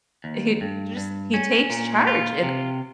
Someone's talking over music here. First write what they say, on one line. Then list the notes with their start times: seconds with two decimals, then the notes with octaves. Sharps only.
he just he takes charge, and
0.24 D#2
0.61 G2
0.97 G2
1.34 C#4
1.70 A#2
2.07 F4
2.43 C3